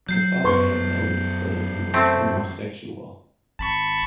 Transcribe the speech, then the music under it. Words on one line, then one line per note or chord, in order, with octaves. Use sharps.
My father had an elder brother who was homosexual.
F#3 G6 C7
F#2 B3 B4 C6 C#6
A3 C4
G#1 A5 B5 C#6